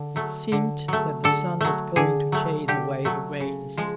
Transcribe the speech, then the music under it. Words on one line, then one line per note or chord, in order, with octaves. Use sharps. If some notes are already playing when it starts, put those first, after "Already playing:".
It seemed that the sun was going to chase away the greyness.
Already playing: D3
F#3 A3
D3
F#3 A3
D3 A4
F#3 A3
D3 G#4
F#3 A3
D3 G4
F#3 A3
C#3
F3 G#3